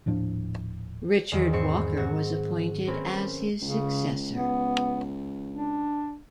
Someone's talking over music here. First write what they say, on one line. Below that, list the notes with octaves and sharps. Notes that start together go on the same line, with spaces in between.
Richard Walker was appointed as his successor.
D#1 A2 F3 D4
E2 D#3 F#3
G#2 C4 C#6 C7
G#2 F#3 F#4
A#3 C4 C#4 A#4 B4
C#2 C#3
B3
D4